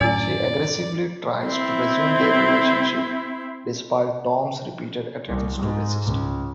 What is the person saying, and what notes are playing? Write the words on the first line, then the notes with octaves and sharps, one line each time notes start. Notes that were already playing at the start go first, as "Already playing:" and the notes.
She aggressively tries to resume their relationship, despite Tom's repeated attempts to resist.
F#2 A2 D3 D4 E4 D5
C4 E4
C2
G#2
C#2